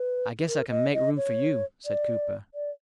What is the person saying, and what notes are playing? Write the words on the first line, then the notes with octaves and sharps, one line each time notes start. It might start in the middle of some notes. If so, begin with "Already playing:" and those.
"I guess I can make room for you," said Cooper.
Already playing: B4
A#4
D#5
D#5
C#5
D5
D5